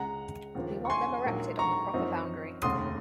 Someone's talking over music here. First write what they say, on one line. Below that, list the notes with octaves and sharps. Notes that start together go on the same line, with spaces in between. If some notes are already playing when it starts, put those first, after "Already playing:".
We want them erected on the proper boundary.
Already playing: C#2 C#3 G#3 F#5 A#5
D#2 C#3 F3 A#3
C#6
G#5 C6
A#1 G#2 F#3 A#3
A#5 C#6
F#2 F3 C4 D#4
F1 D#2 C#3 C6 D#6